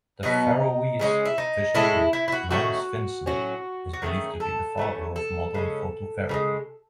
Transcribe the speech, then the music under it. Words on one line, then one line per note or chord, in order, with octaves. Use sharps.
The Faroese physician Niels Finsen is believed to be the father of modern phototherapy.
B2 F#3 B3 D#4
C#3 E3 G#3 C#4
E4
D#4
A2 G#3 C#4 E4
E4
E4
F#4
D#3 A3 C#4 F#4
A2 F#3 C#4 F#4
F#4
D#3 A3 C#4 G#4
A4
E3 A3 C#4
A4
C#3 G#3 C#4
C#3 E3 G#3